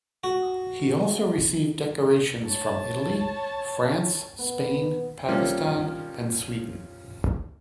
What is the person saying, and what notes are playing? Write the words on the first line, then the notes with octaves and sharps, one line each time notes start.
He also received decorations from Italy, France, Spain, Pakistan and Sweden.
F#4
C#5 A5
B3
F3 G3 A#3 C4 C#4